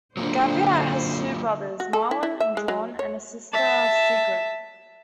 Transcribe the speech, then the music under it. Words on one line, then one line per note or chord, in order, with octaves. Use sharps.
Gevaert has two brothers, Marlon and John, and a sister Sigrid.
D3 F#3 A#3 F4 C5
F#4
A4
E4
E4
E5
G#3
F#3
C#5
E5 A5